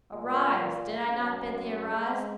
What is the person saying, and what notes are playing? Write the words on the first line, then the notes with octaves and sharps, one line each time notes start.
"Arise! did I not bid thee arise?"
A#2
F#2
G#3